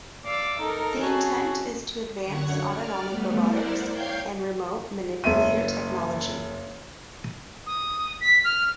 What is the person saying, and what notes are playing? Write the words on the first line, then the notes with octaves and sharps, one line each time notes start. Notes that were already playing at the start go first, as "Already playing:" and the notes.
The intent is to advance autonomic robotics and remote manipulator technology.
D5 F5 D6 E6
D#4 A4 A#4
C4 C#4 F#4 G#4 A4
F#2 D3 C#5 F#5 C#6
D5 F6
G3 A3 B3
E4 A#4 C5 D5 F#5
C#5 F5 G5 G6 G#6 C7
F#1 E5 D#7
D#6
B6
F6